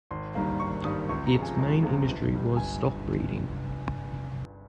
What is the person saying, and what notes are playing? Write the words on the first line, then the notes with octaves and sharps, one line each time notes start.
Its main industry was stock breeding.
G#1 C6
G2 D#3 G3 A#3
G#1 C#6
G2 D#3 G3 A#3 D#6
C#2 C#6
A#5
C3 F3 G#3
G#5
C#2
C3 F3 G#3
G1
G2 G3
G1 G#5